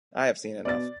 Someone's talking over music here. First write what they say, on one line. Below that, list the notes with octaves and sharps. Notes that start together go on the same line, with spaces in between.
I have seen enough.
B2 D5 A6